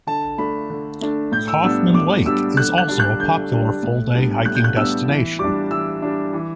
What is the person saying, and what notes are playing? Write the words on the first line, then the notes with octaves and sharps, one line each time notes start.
Kaufman Lake is also a popular full day hiking destination.
D3 A5
A3 D4 B5
D3
A3 D4
A2 G6
E6
G3 B3 D4 E6
A2 D6
G3 B3 D4 E6
D3 F#6
F#6
G3 D4
F#6
D3 G6
G3 D4
A2
G3 B3 D4
A2 F#6
G6
F#6
G3 B3 D4 E6
E3
G3 D4 D6
E3 E6
G3 D4
E3